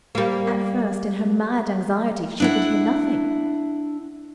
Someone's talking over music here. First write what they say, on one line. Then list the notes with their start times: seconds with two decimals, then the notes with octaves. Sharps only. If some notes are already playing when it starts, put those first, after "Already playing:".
At first, in her mad anxiety, she could hear nothing.
0.15 G3 A#3
2.40 D4 E4 F#5